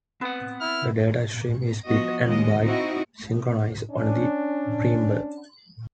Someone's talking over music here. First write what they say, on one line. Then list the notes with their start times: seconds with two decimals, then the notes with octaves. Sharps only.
The data stream is bit and byte synchronized on the preamble.
0.21 B3 C4 B4 F#5
0.61 E4 F6
1.86 F3 B3 F#4 D#5
2.27 D#2 G#3 D#5
2.64 C4 D#4 E4 F#4 D#5
3.91 C#4 D4